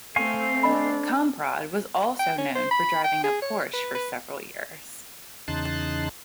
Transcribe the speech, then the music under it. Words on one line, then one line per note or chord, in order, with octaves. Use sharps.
Kamprad was also known for driving a Porsche for several years.
A3 C4 F5 G#5 C#6
D4 D#5 B5
G5
C#4
C5
B5
G5
G#4
C#5
B4
B4
E2 C#3 D#4 A5 C6 F#6